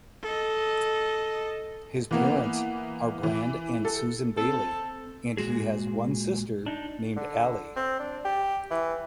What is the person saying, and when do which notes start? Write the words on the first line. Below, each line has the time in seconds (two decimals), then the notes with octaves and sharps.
His parents are Brand and Susan Bailey and he has one sister named Aly.
0.23 A4 D#5
2.11 E3 A#3 B3
3.23 E3
3.85 A4
4.37 C4 A4
5.37 A#2 G#3 F#4 G#4
6.66 D4 D#4
7.16 D3
7.76 C4
7.99 D4
8.25 G4
8.71 E3